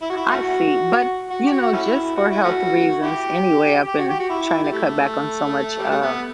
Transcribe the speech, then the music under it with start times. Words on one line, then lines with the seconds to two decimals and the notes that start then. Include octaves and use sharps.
I see, but, you know, just for health reasons, anyway, I've been trying to cut back on so much, uh,
0.02 E4
0.10 F#4
0.16 E4
0.30 A3 C#4 F#4
1.30 F#4
1.47 G4
1.51 F#4
1.62 F#4
1.73 A3 C#4 E4
2.16 F#4
2.30 E4
2.44 A3 C#4 F#4
3.01 E4 G4
3.87 G4
3.98 F#4
4.08 G4
4.20 F#4
4.29 E4
4.63 G3
4.72 A3
5.78 G3
5.90 A3
6.01 B3